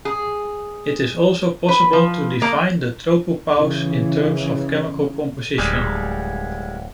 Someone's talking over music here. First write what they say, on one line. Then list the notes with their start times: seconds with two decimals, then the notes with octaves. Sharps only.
It is also possible to define the tropopause in terms of chemical composition.
0.05 G#4
1.68 B4
1.93 F3
2.42 A#3
3.55 C#3 E3
5.58 D1 G3 G#3